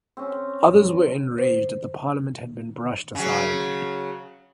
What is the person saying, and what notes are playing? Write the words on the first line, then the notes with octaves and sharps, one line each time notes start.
Others were enraged that the parliament had been brushed aside.
C4 C#4
C5
C#3 F#3